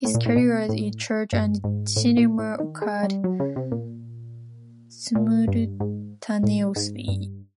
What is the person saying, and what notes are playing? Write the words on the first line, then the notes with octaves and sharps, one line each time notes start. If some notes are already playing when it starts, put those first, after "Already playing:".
His careers in church and cinema occurred simultaneously.
A2
A#2
A2
B2
A2
G2
G#2
A2
A#2
A2
D#3
G#3
G3
F#3
C#3
C3
A#2
A#2
G2
G#2
A2
G#2
G2